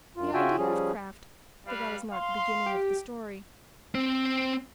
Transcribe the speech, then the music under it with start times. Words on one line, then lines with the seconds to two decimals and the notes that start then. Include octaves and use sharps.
The idea of Kraft--but that is not the beginning of the story.
0.17 F#2 F4
0.34 C#3 F4 F#4 E5 G5 G#5
0.57 F3 G3 C#4 G#4
1.67 G3 B4 F5
2.13 F5 C6
2.66 G4
3.95 C4 C5